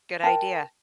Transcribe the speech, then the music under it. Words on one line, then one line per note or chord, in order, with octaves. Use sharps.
Good idea.
A#4 G5 A5